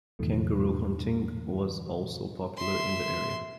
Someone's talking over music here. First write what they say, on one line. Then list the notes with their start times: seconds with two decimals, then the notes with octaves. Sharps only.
Kangaroo hunting was also popular in the area.
0.19 E2 G#2 B2 D#3 F3 A3
2.57 E5 C6